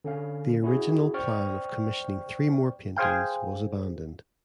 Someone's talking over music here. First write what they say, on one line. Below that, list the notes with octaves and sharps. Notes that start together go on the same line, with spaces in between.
The original plan of commissioning three more paintings was abandoned.
D3 C#4 F5
C#4 E4 F#4 G#4
C5 D5 G5 C#6 F6
G#4 C5 F5 G5